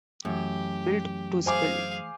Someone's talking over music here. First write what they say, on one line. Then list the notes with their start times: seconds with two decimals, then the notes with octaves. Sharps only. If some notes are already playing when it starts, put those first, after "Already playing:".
Built to Spill.
0.25 F#2 E3 A3 G4
1.46 G#4 C5 F5 G#5 D6